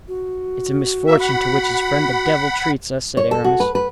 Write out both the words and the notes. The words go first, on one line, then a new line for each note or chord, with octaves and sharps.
"It's a misfortune, to which his friend, the devil, treats us," said Aramis.
F#4
A#3 E5
F#5 B5
C#5
A4
F#4
B4
B4